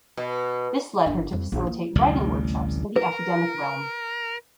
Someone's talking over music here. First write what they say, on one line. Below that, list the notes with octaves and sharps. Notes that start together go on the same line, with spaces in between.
This lead her to facilitate writing workshops in the academic realm.
B2
G1 D4
F2 G3
A#1 D#2
A#3
A1 D2 C3 G3
A#4 B4